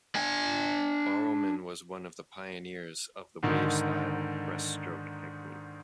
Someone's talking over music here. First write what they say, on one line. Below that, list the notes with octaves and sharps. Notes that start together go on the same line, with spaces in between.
Barrowman was one of the pioneers of the "wave-style" breaststroke technique.
D4 G#5
G#2 D3 D#3